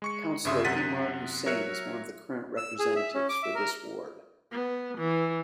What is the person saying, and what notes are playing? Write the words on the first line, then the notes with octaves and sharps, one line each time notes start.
Councillor Imran Hussain is one of the current representatives for this ward.
G#3 C#6 C#7
G1 G2 C#3 E5 C6 D#6
F#2 C3 F#5 A6 B6 D#7
F#3 A#4 C#5 E5 F#6 C#7
E6
G#4
E5
C#4
D6
E5
A#4
B3
E3